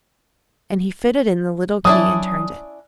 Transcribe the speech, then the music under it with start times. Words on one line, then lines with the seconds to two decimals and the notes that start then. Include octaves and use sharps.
And he fitted in the little key and turned it.
1.85 F#3 C#4 D4 E4 D#6